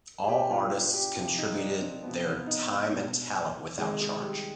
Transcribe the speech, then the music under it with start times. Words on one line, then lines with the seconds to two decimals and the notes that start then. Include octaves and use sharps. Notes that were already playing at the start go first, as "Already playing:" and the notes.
All artists contributed their time and talent without charge.
0.23 G#4
0.28 B2 G4
0.51 F4
0.72 D4
0.93 G4
1.16 C3 F3 G4
1.38 D#4
1.59 D4
1.81 C4
2.03 C3 F3 B3
2.26 B3
2.47 D#4
2.91 B2
3.78 C3 D#3 G#3
4.01 G#3
4.22 G3